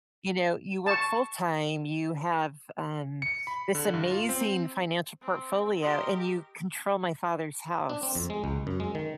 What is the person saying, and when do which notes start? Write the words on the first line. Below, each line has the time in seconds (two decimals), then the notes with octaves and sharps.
you know, you work full time, you have, um, this amazing financial portfolio, and you control my father's house.
0.86 A5 C#6
3.22 C#7
3.47 B5
3.75 D3
3.94 G2
4.11 F4
4.29 C4
5.22 C4
5.82 G4 A#4 D#5 C6
7.89 D4
8.03 C4
8.15 F2
8.30 G#3
8.44 C#2
8.67 F#2
8.80 G#3
8.95 D#3